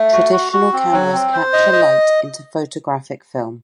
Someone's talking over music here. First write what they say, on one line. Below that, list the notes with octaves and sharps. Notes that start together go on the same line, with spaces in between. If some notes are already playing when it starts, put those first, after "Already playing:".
Traditional cameras capture light into photographic film.
Already playing: A3
F#4
F#4
F#4
C4
F#3
C4
C5
D#5
D#5